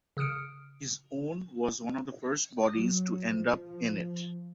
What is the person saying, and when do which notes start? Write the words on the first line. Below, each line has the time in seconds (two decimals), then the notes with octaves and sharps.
His own was one of the first bodies to end up in it.
0.17 C#3 D#6 F6 C#7 D7
2.72 F#3
3.27 F3